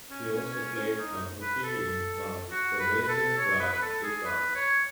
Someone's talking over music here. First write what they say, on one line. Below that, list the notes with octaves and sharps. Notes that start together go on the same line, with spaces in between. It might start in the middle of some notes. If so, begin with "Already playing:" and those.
He also played club hockey in France for Racing Club de France.
C#4
C#4
C#4
C#4
D#4
B4
A4
F#4
B4
B4
A4
C#5
B4
B4
A4
G#4
B4
C#5